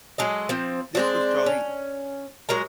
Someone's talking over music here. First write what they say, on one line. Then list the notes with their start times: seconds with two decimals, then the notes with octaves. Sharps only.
This was Zhaoyi.
0.18 F#3 G#3 A4 D#5
0.49 F3 C4
0.95 G#3 C4 D4
1.46 C#4
2.49 F#3 G#3 A#4 A#5